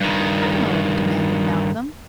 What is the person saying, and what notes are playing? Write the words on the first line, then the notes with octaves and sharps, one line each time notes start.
"How?" demanded Malcolm.
G2 D#3